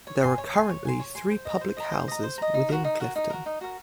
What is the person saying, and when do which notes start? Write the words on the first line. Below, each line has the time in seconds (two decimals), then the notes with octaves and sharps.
There are currently three public houses within Clifton.
0.07 C#5
0.23 G#5 C6
0.38 C#5
0.54 G#5 C6
0.69 C#5
0.85 G#5 C6
0.99 C#5
1.15 G#5 C6
1.31 C5
1.45 D#5 A#5
1.61 C5
1.77 D#5 A#5
1.92 C5
2.08 D#5 A#5
2.23 C5
2.38 D#5 A#5
2.54 D#4
2.69 F#4 A#4
2.85 D#4
3.00 F#4 A#4
3.16 D#4
3.30 F#4 A#4
3.46 D#4
3.61 F#4 A#4